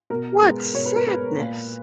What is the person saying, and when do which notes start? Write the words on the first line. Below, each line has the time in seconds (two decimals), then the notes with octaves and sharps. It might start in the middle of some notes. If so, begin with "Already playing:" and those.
what sadness.
0.10 B2 A#4
0.42 G#3 B3
0.73 B2 C#5
0.86 B4
0.96 A#4
1.06 G#3 B3 B4
1.38 A#2